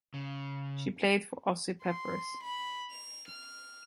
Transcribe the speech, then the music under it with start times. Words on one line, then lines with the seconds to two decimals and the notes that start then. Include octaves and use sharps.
She played for Aussie Peppers.
0.14 C#3
1.84 C6
2.43 B5
2.91 F7
3.28 F6